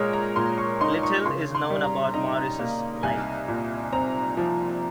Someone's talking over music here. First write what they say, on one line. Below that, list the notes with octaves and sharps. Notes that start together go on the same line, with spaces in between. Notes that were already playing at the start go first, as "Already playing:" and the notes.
Little is known about Morrice's life.
Already playing: A#2 G#3 A#4 C#5
A#5
A#2 C6
C#6
D#4 C6
C#6
C#3 C6
C6
G3
A#5
D#4 A#5
A#3
C2 G#5
A#2
C4 A#5
F3